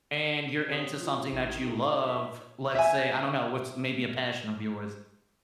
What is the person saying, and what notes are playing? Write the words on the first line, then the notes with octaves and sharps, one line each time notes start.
and you're into something that you love, let's say, I don't know, what's maybe a passion of yours?
C3 C#5 D#6
F3 E4
A1 D#3
D#4 F4 A4
B1 E5
E5 G#5